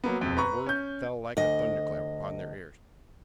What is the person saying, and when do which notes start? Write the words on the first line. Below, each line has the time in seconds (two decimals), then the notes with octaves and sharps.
The word fell like a thunderclap upon their ears.
0.04 F#3 A#3 B3
0.21 E1 F2
0.37 B4 A#5 C#6
0.66 C#4 G6
1.37 D2 D#5